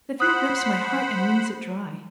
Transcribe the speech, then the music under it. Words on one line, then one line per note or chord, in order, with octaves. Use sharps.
The fear grips my heart and wrings it dry.
C5 F#5 B5 D#6 F#6